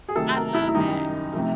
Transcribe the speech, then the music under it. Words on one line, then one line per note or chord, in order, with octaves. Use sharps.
I love that.
G#4
C3 D#3 F#3 A3 A4
A#4
E4
E4
F#2 D#3 G3 D#4
C3 F3 A3